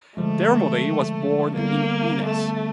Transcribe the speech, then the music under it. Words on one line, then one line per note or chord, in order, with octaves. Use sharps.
Dermody was born in Ennis.
D3 F3 G#3 A3
D3 G3 A#3 B3 E4 A4
A3